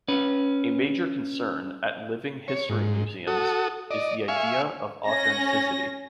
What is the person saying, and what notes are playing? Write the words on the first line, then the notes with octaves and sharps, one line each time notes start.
A major concern at living history museums is the idea of authenticity.
C#4 B4
C#5
G#2
F#4 A4 D#6
D5 D#5
E5 F5 G#5 C#6
C#4 A#6